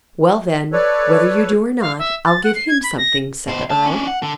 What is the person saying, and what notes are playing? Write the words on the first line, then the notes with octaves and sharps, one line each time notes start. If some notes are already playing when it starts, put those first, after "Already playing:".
"Well, then, whether you do or not, I'll give him something," said the earl.
A4 B4 C#5 D5
F5
E5
A6
F#5
C7
G#6
B5
A#6
B2 C5
A3 A5
C#4 D4
F#5
D3